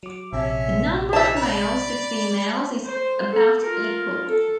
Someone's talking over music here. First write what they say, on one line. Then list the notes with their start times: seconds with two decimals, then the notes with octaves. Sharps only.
The number of males to females is about equal.
0.03 F#3 D6
0.33 A#1 C3 C#4 E5
1.13 E3 D#4 E5 A5
1.37 D5 B5
2.85 C5
3.30 A4
3.62 F4 A#4
4.28 A4